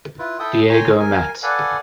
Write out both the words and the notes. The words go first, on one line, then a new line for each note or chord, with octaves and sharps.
Diego Mat.
E4 F4 B4
E4 A4 E5 G5 D#6
C#5 G5 G#5 A#5 C6
A#4 G#5
A4 B4 D5 F5 F#5 G#5